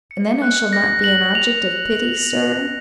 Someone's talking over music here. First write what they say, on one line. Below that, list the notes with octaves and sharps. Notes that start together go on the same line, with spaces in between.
"And then I shall not be an object of pity, sir?"
C#7
F#6
A#6
F#7
F7